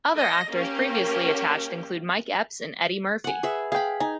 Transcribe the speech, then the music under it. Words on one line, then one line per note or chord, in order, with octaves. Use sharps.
Other actors previously attached include Mike Epps and Eddie Murphy.
D#5 A#6
A#3 C#4 G4
F#5 G#5
G#4 B4 E5
G#4 F5 G5 B5
D#4 G#5